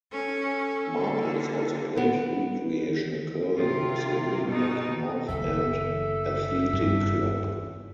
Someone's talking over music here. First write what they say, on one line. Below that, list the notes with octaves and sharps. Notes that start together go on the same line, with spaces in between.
Marples also played recreational curling with the Winnipeg North End Athletic Club.
C#4 A4
D3 A#3
B3
C3 F4
B2 D#4
F#1 D#2 A4 E5
G2